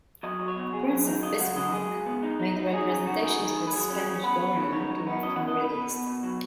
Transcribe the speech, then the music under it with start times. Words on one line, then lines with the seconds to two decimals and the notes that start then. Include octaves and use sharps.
The Prince of Bismarck made representations to the Spanish government to have him released.
0.23 F#3 D#5
0.40 F#3
0.48 C#5
0.56 B2
0.73 B2 G#4
0.89 F#3
1.07 D#4
1.22 C#3 D#5
1.39 F#3 F#5
1.56 F#3 D#5
1.72 C#2 G#4
1.89 C#2
2.06 B3
2.23 D#4
2.40 D#4
2.56 D#4
2.66 F#4
2.73 D#4 G#4
2.89 C#3 G#4
3.06 D#4 F#4
3.23 D#3 G#4
3.40 D#3
3.57 D#3
3.67 B4
3.73 F#3 G#4
3.90 C#4
4.06 C#4
4.23 B3 B4
4.40 B3
4.56 C#3
4.73 D#4 C#5
4.90 F#3
5.07 B3
5.23 C#4 D#5
5.36 B2 F#5
5.48 D#5
5.57 B2 B4
5.73 B2 B4
5.90 B2
6.07 B2
6.23 F#3